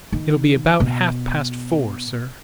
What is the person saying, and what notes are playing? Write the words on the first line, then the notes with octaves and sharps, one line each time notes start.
"It'll be about half-past four, sir."
D#3
B2